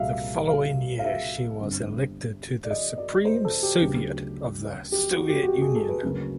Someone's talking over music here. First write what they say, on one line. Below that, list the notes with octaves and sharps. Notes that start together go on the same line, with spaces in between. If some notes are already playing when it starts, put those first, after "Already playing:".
The following year she was elected to the Supreme Soviet of the Soviet Union.
Already playing: C2 A#2 G3 E5 F5
F5
F5
E5
G1 G2 D3 G3 C4
D5
D#5
D5
C5
A4
G4
D2 C#3 F#3 B3
G4
F#4
G4
F#4
G4
G#4
A4
B4
D2 C#3 F#3 A#3 C#4